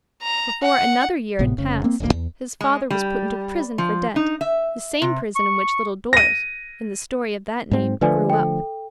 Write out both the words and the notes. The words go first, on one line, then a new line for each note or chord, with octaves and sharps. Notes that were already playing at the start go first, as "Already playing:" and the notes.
Before another year had passed, his father was put into prison for debt--the same prison in which Little Dorrit, in the story of that name, grew up.
A#5
F#5
G#1 A2 C3 B3
F1 C#3
A#3 C4
D#1 A#1 G#2 A#3
E2
G#3
G3
F3
D#4
E5
C3
C#6
A#6 D#7
G#2 C4
D3 F3 A3 B4 D5 G#5
A4 G5